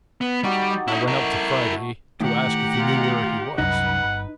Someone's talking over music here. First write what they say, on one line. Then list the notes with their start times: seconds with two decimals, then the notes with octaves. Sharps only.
I went up to Friday, to ask if he knew where he was.
0.21 B3
0.44 G3 D#4 F#4 G4
0.70 D#5 F#5
0.88 A3 D#4 E4
1.07 E4 A#4
2.20 A2 D#3 G4 F#5 A#5
2.80 F4
3.58 C2 F#2 D#4 B4 F#5
4.04 G1